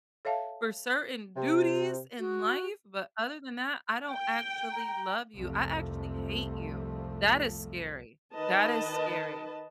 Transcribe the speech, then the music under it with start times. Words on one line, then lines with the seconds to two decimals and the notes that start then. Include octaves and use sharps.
for certain duties in life, but other than that, I don't actually love you, I actually hate you." That is scary. That is scary.
0.25 A4 C#5 E5 F5 A5
1.35 C3
2.19 F#4
4.09 G5
4.72 A#5
5.36 C2 F2 C3 F3 A3
8.35 D#3 B4 D#5 A5